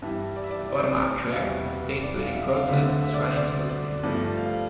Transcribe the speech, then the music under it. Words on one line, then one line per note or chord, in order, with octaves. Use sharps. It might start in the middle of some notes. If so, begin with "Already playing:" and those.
The bottom-up track — the State-building process — is running smoothly.
G2 E3 G3 E5
D5
E5
D5
D5
C5
D5
F5
E2 B2 G3 E5
D5
F5
E5
F5
D2 D3 A3 E5
E5
D5
C5
D5
D5
G2 F3 A3 D5
F5